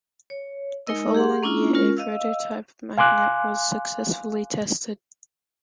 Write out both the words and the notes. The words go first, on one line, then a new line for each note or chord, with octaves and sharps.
The following year a prototype magnet was successfully tested.
C#5
G#3 D#4 A#4 D#5 E6
G4 G#4 F#5 C6
A#3 C#4 D4 E4 F4
G#3 C#4 F4 A#4
D#5 F5 E6
F5 G#5 C6 D6 F#6